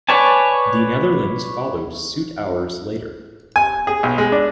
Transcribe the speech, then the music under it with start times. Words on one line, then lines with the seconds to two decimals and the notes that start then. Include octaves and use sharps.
The Netherlands followed suit hours later.
0.09 B4 C#5 D5 G#5 A5
3.56 G#5
3.87 G#4
4.03 B1
4.18 G#3
4.32 D4